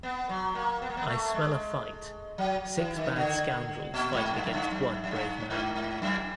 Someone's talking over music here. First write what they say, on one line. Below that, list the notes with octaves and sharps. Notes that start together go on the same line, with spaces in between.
I smell a fight — six bad scoundrels fighting against one brave man.
B3
F#3
A#3
B3
A#3
B3
A3
G#3
F#3
E3
D#3
D3
A#2
G#2
G2
F#2
G2
F#2
F#2
G2
G#2
G#2
F#2